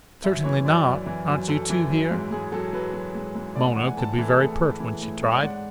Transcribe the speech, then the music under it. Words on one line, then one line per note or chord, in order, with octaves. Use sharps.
"Certainly not; aren't you two here?" Mona could be very pert when she tried.
F#2 E5
E3 C#5
F#2 D5
F#2
E3
F#2
F#2 A4
E3
F#3
G#2
G#2 G#4
F#3 A4
F#3 B4
F#3
G#2
G#2
A2 D5
F#5
E3 F#5
G#5
A2 A5
E3 A4
G#4
A2 A4
A2
E3
A2
G#2 C#5
D5
G#2 F#5
F#5